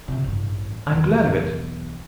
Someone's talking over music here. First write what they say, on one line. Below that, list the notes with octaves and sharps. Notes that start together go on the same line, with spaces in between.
I am glad of it.
C#2 C3
A1 G2
B1 E2